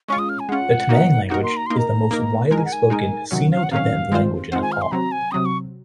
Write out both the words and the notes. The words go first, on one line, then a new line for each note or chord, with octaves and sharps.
The Tamang language is the most widely spoken Sino-Tibetan language in Nepal.
G#3 C#4 F4 C#6
D#6
F6
G#5
G#3 C#4 F4 F#5
A#3 D#4 F#4 A#4
A#3 D#4 F#4 A#4 F#5
C6
A#5
A#3 D#4 A#4 C6
A#5
A#3 D#4 A#4
G#3 D#4 A#4 A#5
G#5
F#5
G#5
G#3 D#4 A#4
C3 D#3 F#3 C#4 F#5
F5
F#5
C3 D#3 F#3 C#4 F5
D#3 G#3 C4 F4 C5
D#3 G#3 C4 F4 C5 F#5
G#5
F6
C6
C3 F#3 C4 A#5
G#5
C3 F#3 C4 D#6
C#6